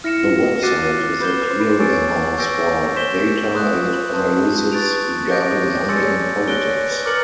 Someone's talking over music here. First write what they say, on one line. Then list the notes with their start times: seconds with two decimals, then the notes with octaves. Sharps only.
The website is a clearinghouse for data and analysis regarding money in politics.
0.04 E4 F6 A#6 C#7 E7
0.24 F4
0.43 F#4
0.63 F#4 D6 F#6 A6 C7 D#7
1.21 B4 D6 G6 C7 E7 G7
1.50 C5
1.60 B4
1.69 C5
1.79 C#5 G#5 C#6 E6 A6 D7
2.38 C#6 E6 G6 A#6 D7
2.96 C5 G6 B6 E7 G7
3.54 B4 C6 D#6 F#6
3.75 F4
3.93 B4
4.13 A5 C6 D#6 G6
4.72 C#6 F#6 A6 D7 F7
5.30 C5 D6 G6 A#6 D7
5.44 C5
5.60 C#5
5.75 D5
5.89 D5 G#5 C6 E6 A6 C#7
6.03 C#5
6.18 C#5
6.48 C#5 F#6 A#6 D7 G7
6.62 C#5
6.77 C#5
6.91 B4
7.06 A#4 D6 F6 A6 C#7 F#7